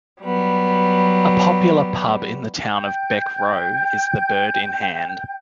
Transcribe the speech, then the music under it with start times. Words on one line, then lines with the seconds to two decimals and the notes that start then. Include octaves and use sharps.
A popular pub in the town of Beck Row is The Bird in Hand.
0.21 F#3 G3 B3
2.75 G5 G6